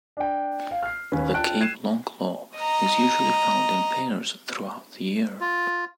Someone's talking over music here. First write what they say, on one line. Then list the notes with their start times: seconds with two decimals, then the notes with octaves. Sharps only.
The Cape longclaw is usually found in pairs throughout the year.
0.17 D4 G5
0.71 F5
0.83 F6 C7
1.12 D#2 C#4 B4
1.34 D4 F4 G5 A5 F#6 D7
1.60 F#6 G#6 C7 D#7 E7
2.58 D#5 A#5
5.41 F4